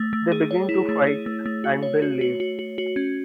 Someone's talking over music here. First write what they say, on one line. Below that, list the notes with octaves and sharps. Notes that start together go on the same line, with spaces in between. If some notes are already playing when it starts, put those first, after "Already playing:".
They begin to fight and Bill leaves.
Already playing: A3
A3
G#4
C#5
E4
A3
G#4
A3
A3
F#4
C#5
F#4
F#4
F#4
F#4
F#4
C#4